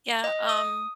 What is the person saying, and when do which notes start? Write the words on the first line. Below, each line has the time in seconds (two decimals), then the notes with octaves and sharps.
Yeah, um
0.24 D#5
0.49 D#6